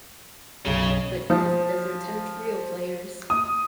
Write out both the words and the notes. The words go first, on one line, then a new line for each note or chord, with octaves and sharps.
But death doesn’t tempt real players.
B1 F#2 C#3
F3
D#6